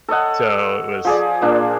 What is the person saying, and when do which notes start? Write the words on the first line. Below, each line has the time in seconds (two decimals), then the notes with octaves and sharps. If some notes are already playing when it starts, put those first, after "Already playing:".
So, it was
0.08 A4 C#5 D#5 F#5
1.05 F3 G#4 D5
1.41 A#2 A#3 D4